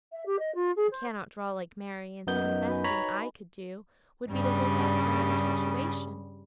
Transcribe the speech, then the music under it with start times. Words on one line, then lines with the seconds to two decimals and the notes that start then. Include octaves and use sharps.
I cannot draw like Mary, and so the best thing I could do would be to look out for another situation.'
0.12 E5
0.26 G4
0.39 D#5
0.55 F4
0.76 G#4
0.91 C5
2.27 F#2 D#3 B3 D#4 G6
2.68 F#4 B4 G#5
2.84 C#5 A#5 B5
4.30 G2 C#3 G3